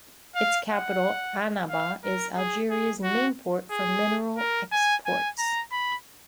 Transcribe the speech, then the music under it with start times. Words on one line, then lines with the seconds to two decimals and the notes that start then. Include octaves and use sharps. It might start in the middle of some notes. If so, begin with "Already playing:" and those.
Its capital, Annaba is Algeria's main port for mineral exports.
0.35 F5
0.69 F#5
1.69 F5
2.03 A#4
2.37 G#4
2.70 G#4
3.03 F#4
3.71 G#4
4.38 A#4
4.72 G#5
5.06 G#5
5.38 A#5
5.72 B5